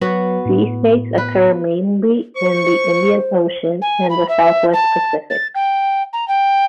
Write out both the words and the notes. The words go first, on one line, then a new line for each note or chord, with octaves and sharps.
Sea snakes occur mainly in the Indian Ocean and the southwest Pacific.
F#3 B3 F#4 B4
A2
B4
C5 C#6
G#5
B5
E5
A5
A6
G5
A#5
G5